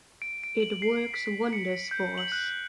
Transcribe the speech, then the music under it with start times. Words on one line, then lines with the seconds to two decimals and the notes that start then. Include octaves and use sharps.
It works wonders for us.
0.22 D7
0.44 D7
0.60 F#7
0.82 C7
1.14 B6
1.53 C#7
1.91 G6
2.18 F#7
2.32 F#6